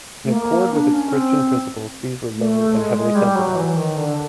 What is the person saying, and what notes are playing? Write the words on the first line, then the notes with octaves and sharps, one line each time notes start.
In accord with its Christian principles, fees were low and heavily subsidised.
A3
A#3
D4
C#4
C4
A3
G#3
G#3
G3
F#3
E3
D#3
D3